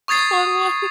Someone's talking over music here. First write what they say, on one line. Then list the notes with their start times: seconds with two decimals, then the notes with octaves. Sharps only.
on one,
0.08 C#6 D#6 G#6 A6 C7